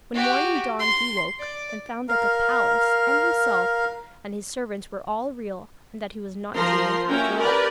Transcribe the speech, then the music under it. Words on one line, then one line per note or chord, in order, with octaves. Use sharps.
When morning dawned he woke, and found that the palace, and himself, and his servants were all real, and that he was not dreaming after all!
F#4 G4
C6
D5
A#4 F5
F3 A#4 A#5 C6
A#3 C#4 F#4 A#4 E5 G5
G4 A#4 B4 D5